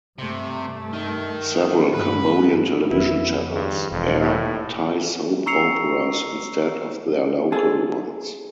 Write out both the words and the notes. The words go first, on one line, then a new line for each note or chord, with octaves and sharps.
Several Cambodian television channels air Thai soap operas instead of their local ones.
G2 C3 A3
D#3
G2 B4
F2 D#3 B3 E4
G2
E1 F2
A2
A#5 C#6 E6 C7 C#7 F7
G#4 A4